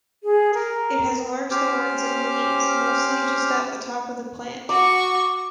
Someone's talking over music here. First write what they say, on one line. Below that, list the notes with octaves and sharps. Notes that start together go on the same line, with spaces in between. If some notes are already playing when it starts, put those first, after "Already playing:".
It has large thorns and leaves mostly just at the top of the plant.
G#4
A#4
C#4 G4 C5 D6 F6
F#4 C#6 D6